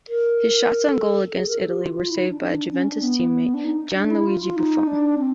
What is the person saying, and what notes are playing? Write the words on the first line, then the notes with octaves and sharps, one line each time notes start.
His shots on goal against Italy were saved by Juventus teammate Gianluigi Buffon.
A#4
A4
G#4
A#4
A4
G4
F4
F4
E4
D#4
D4
D4
D#4
D4
C#4
D4
B3
D4
D#4
D4
E4
F4
F4
D#4
D4
C4